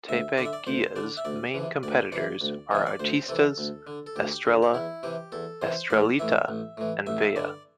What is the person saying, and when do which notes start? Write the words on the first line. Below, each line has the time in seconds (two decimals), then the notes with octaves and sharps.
"Teve Guia"'s main competitors are "Artistas", "Estrella", "Estrellita", and "Vea".
0.09 D2 E5
0.38 D3 D5
0.45 E5
0.53 D5
0.67 D2 C5
0.96 D3 D5
1.17 E5
1.25 D2 D5
1.54 C3 E3
1.83 D2 D5
2.12 C3 E3 D5
2.41 D2
2.71 C3 E3 E5
2.87 D5
3.00 D2 C5
3.28 C3 E3 A4
3.58 D2
3.87 D3
4.07 A4
4.16 D2 G4
4.45 D3
4.62 G4
4.74 E2 E4
5.03 C3 E3 G4
5.32 E2 A4
5.62 C3 E3 C5
5.90 A1 D5
6.19 A2 E3 E5
6.49 A1
6.77 A2 E3
7.07 A1 E5
7.36 G2 D3 D5